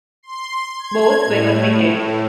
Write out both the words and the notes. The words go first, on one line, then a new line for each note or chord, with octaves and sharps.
Both were convicted.
C6
G#6
A2
A2